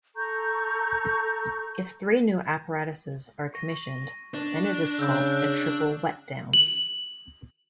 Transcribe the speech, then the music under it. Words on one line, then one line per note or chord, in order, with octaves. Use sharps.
If three new apparatus' are commissioned, then it is called a "Triple Wetdown".
A4 A#5 C#6 G6
C#6 A#6
D4
C#3 E6 G6
F#7